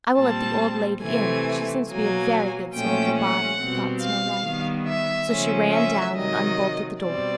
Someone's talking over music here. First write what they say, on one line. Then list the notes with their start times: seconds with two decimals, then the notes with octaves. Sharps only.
"I will let the old lady in; she seems to be a very good sort of a body," thought Snow-White; so she ran down, and unbolted the door.
0.17 A#2 G3 C4 A5
1.02 C3 E3 A3 C4 G#5
1.88 B2 F#3 A#3 G#5
2.73 A#2 F3 A3 C#4 G5
3.17 F#5
3.59 B2 G3 C4
4.01 F5
4.45 D#3 G3 B3
4.87 E5
5.30 C#3 F3 A3 C#4
5.73 E5
6.15 C3 D#3 F#3 D#5
7.02 B2 G3 C4 D5